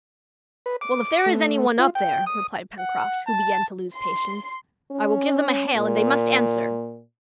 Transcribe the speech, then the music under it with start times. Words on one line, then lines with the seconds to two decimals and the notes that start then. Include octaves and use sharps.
"Well, if there is any one up there," replied Pencroft, who began to lose patience, "I will give them a hail, and they must answer."
0.66 B4
0.81 D6
1.26 A3
1.79 F4
1.95 G5
2.26 D#6
2.79 F#5
3.27 A5
3.94 C6
4.91 C#4
5.76 A#2